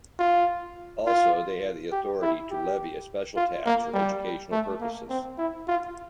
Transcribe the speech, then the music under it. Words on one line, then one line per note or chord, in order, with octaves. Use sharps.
Also, they have the authority to levy a special tax for educational purposes.
F4
F4
G4
E4
G4
F4
A#3
G3
A3
A#3
C4
E4
F4